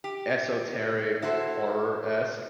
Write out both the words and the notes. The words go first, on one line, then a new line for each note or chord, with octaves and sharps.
esoteric, horror-esque
G4
E4 F#4 A4 C5